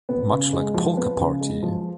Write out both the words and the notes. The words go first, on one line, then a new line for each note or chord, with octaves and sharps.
Much like Polka Party!
B3
C#3
G#3
F3
B3
C#3
G#3
F3